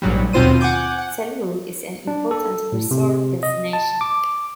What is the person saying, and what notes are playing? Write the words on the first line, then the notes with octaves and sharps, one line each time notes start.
Salou is an important resort destination.
A#1 G#2 F#3 G3
D#2 B2 C4 F4 C5 D#7
F#5 G#5 D6 G6
F#5
D4
A4
A2
C3
D#5
A5
D6